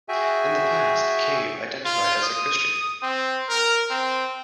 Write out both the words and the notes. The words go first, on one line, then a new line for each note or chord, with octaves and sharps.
In the past, Cave identified as a Christian.
F#4 G#4 E5 G5 G#5
F4
D#6
C4
A#4
C4